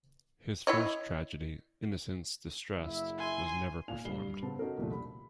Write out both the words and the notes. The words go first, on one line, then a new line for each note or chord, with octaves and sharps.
His first tragedy, "Innocence Distress'd," was never performed.
E4 C#5 D#5
F#1 E4 E5
G#5 C6
A#2 F5 G#5 F7
G2 C7 G7
C#3 B3 C4 A5
C#4 D#4 F#4 A4 A#4
C2 F2 A#2 D3 A3
B5